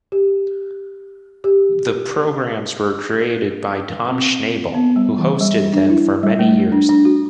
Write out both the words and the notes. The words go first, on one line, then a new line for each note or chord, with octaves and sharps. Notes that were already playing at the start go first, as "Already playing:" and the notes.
The programs were created by Tom Schnabel, who hosted them for many years.
G4
G4
C4
B3
G3
E3
G3
D4
E4
G3
A3
D4
D4
F#4